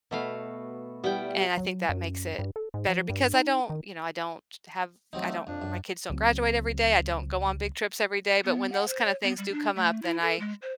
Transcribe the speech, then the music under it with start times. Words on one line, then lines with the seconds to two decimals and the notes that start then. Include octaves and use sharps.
And I think that makes it better, because I don't you know, I don't have I don't my kids don't graduate every day, I don't go on big trips every day, but when those kinda things do come up, then I
0.11 B2 A3 B3 F#4 F5 B5
1.04 G3 B3 E4 G5
1.57 F#3
1.89 F#2
2.39 G2
2.56 A4
2.74 G#2
2.89 F3
3.09 G2
3.34 D#4
3.70 D#3
5.13 F#3 A3 C4 D#4
5.47 F2 D4
5.62 F#2
6.10 C#2 F#3 A3 C4
8.44 B3
8.72 F#5
8.88 C5
9.04 C#5
9.23 B3
9.38 G3
9.52 D4
9.76 A3
10.02 E4
10.22 A4
10.39 G#3
10.62 C5